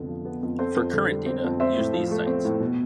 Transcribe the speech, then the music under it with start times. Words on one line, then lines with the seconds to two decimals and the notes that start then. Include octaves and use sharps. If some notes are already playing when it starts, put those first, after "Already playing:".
For current data, use these sites.
Already playing: C2 F2 D3 B3
0.08 F3
0.25 B3
0.43 F2
0.59 C4 A4 C5
0.76 F2
0.93 D3
1.10 G3
1.26 C4
1.44 F2
1.60 C4 C5 E5
1.77 A2
1.93 F3
2.11 A3
2.27 C4
2.45 A2
2.60 B2